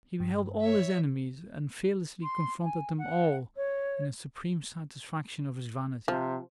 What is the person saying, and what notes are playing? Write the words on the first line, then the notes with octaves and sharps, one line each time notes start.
He beheld all his enemies, and fearlessly confronted them all in a supreme satisfaction of his vanity.
G2
C#5 E5
C6
G#5
F#5
C#5
C3 F3